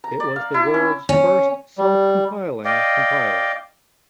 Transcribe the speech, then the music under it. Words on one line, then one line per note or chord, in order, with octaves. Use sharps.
It was the world's first self-compiling compiler.
A#5
D5
F5
E4
C#4
C#4
G3
D5 D#5 F5 G5